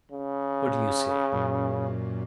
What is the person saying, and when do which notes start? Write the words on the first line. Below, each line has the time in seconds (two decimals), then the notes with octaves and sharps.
What do you say?
0.12 C#3
1.32 F#2 A#2